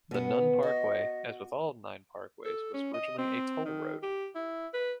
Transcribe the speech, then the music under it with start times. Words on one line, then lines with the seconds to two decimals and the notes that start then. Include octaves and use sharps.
The Nunn Parkway, as with all nine parkways, was originally a toll road.
0.11 B2 B3
0.63 F#4 D#5
2.45 A4
2.74 C#4
2.94 D#5
3.18 C4
3.65 D#3
4.03 G4
4.35 E4
4.73 B4